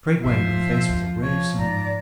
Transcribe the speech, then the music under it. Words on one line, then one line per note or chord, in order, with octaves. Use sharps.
Straightway her face was a ray of sunlight.
D#2 G#2 F3 C5 E5
D2
F3 C#5
G#2 G#3 D5 A#5